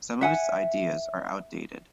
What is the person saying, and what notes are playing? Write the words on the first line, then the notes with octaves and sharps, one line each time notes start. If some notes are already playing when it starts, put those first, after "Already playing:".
Some of its ideas are outdated.
E5 F#5 G#5